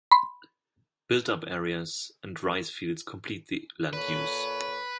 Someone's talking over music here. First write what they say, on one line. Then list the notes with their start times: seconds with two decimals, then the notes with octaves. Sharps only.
Built up areas and rice fields complete the land use.
0.12 B5 C6
3.93 A#2 A4 B4 C#5